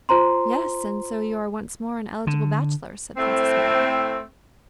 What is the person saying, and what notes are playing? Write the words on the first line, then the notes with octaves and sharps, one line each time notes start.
"Yes, and so you are once more an eligible bachelor," said Princess Mary.
F4 C5 A#5 C6
D3
A2 A3 C4